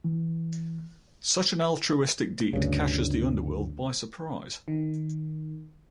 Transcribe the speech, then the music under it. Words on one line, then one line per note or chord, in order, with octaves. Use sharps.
Such an altruistic deed catches the underworld by surprise.
E3
D2 G2 C#3
D#3